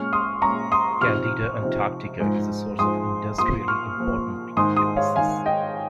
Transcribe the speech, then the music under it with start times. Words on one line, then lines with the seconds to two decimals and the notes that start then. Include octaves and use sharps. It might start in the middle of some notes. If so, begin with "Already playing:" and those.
"Candida antarctica" is a source of industrially important lipases.
Already playing: A#2 G#3 C#4 C#6 F6
0.13 C6 D#6
0.42 A#2 G#3 C#4 A#5 C#6
0.72 C6 D#6
1.01 C3 F3 C4 D#4 C#6 F6
1.60 C3 F3 C4 D#4
2.20 G#2 F3 G#3 D#4
2.79 G#2 F3 G#3 D#4 C6 D#6
3.38 A#2 F3 A#3 C6 D#6
3.68 C#6 F6
3.98 A#2 F3 A#3
4.57 G#2 D#3 G#3 D#4 C6 D#6
4.77 C6 D#6
4.97 C#5 F5
5.16 G#2 D#3 G#3 D#4 F5 G#5
5.46 D#5 G5